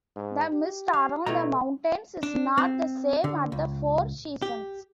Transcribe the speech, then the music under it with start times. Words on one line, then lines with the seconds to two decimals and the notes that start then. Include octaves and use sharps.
The mist around the mountains is not the same at the four seasons.
0.16 G#2
0.53 G4
0.93 F5
1.26 B2 A3 E4 A#5
2.23 D4
2.58 C4
3.24 D3
3.52 C#2
4.42 G4